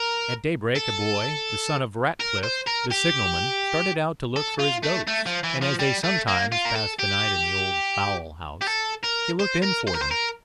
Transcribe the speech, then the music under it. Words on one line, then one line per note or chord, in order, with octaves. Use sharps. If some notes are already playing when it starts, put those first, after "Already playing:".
At daybreak a boy, the son of Ratcliff, the signal man, started out to look for his goats, and as they sometimes passed the night in the old fowlhouse, he looked in for them.
Already playing: A#4
A4
A#4
C5
A#4
G4
A4
F4
A3
A3
F3
E3
F3
G3
A3
A#3
F4
A#4
A4
G4
G4
A4
A#4
C5
A#4
C5
A#4
C5
A#4